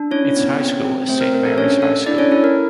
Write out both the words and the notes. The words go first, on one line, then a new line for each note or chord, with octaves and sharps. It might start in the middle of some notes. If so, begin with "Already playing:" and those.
Its high school is Saint Marys High School.
Already playing: D4
C#4 E4 C#5
B3
C4
C4
A3 C4 C5
A#4
A3 A#4
A4
C#4 D4 C#5
A4
D4 E4 D5
C#4 C#5
E4 A4
A#4